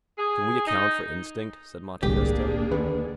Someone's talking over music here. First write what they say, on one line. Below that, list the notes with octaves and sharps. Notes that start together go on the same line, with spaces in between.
"Can we account for instinct?" said Monte Cristo.
G#4
D#4
D1 G1 C2 A#3 D4 G4 G#4
D#2 D3 B4